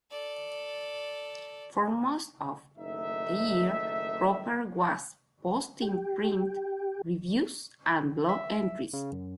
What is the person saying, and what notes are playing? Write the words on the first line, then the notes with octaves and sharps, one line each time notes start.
For most of the year Roeper was posting print reviews and blog entries.
A4 D5
F#1 D#3 A3 D#4 E5
G4
E5
C#3
F#2